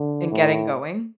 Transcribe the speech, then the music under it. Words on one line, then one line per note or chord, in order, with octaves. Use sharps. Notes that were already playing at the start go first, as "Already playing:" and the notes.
and getting going.
Already playing: D3
A2